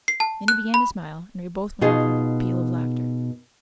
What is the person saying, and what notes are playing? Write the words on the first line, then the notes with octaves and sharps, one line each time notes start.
Then he began to smile, and we both went off into a peal of laughter.
C7
A5
F#6
B5
B2 D#4 F4 G#4